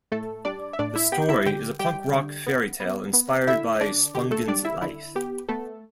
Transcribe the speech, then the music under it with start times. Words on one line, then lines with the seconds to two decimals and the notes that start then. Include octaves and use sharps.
The story is a punk rock fairytale inspired by Spungen's life.
0.12 A2 A3 A4
0.45 G3 D4 D5
0.73 E5
0.79 A2 D4 D5
0.95 E4 E5
1.12 B3 G4 G5
1.29 E4 E5
1.46 D3 G4 G5
1.79 G3 G4 G5
2.13 D3
2.47 B3
2.80 B3
3.13 B3
3.47 D3 E4 E5
3.81 D3 D4 D5
4.15 D3 G4
4.31 A3 A4
4.48 G3 D4 D5
4.65 E4 E5
4.82 D3 E4
5.15 B3 G4
5.49 A3 B3 A4